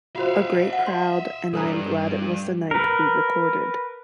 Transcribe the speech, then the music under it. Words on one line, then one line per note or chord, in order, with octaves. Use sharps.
A great crowd and I am glad it was the night we recorded.
F4 F#4 C5 E5 F5
F#5
C6
G3 D4 A4 B4 A#5
A#4 B4